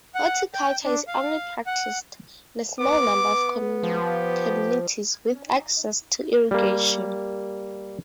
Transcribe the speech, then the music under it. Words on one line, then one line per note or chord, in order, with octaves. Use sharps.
Horticulture is only practised in a small number of communities with access to irrigation.
F#5
G5
D4
F5
F#5
B3 D6
F3 G4
G3 A#3